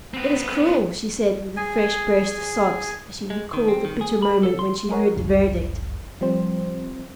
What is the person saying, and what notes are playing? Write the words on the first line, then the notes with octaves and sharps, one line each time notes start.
"It is cruel!" she said with a fresh burst of sobs, as she recalled the bitter moment when she heard the verdict.
B3 C4
G#4 G#5
G#3
D#3
C4
D#3
G#4
B5
A4
C6
G#3 G#4 A#4 C#5 F#5
G1 C#2 F#2
F3 G3 C4 C5